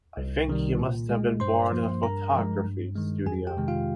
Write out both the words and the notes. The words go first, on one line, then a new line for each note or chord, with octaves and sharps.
I think you must have been born in a photography studio.
C2
C3 D#3 G3
A#2
G#3
G2 C5 C6
F3 A#3
G2 A#4 A#5
F3 G#3
G2
D#3 G#3
F2 G#4 G#5
G4 G5
C3 D#3 G#3
F4 F5